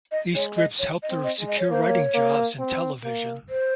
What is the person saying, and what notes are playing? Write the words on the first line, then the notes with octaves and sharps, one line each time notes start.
These scripts helped her secure writing jobs in television.
D#5
G#3 C#5
D#5
C#5
D#5
C4
D#5
G#3
D#5
C#5
A#3 C5
C#5
A#3
C4
A#3
C5